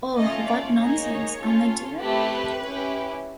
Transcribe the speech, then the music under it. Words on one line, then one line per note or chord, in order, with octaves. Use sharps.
Oh, what nonsense, Ahmed dear!
A3 C#4 F4 D#5
D5
A#3 D#4 G#4 C#5
C#4 F4 A4
A3 C4 E4 G4 B4
C#4 E4 G4